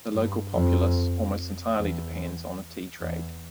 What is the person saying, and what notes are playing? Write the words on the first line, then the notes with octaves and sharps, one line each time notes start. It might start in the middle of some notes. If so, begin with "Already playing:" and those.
The local populace almost entirely depends on the tea trade.
G2
F2
E2
E2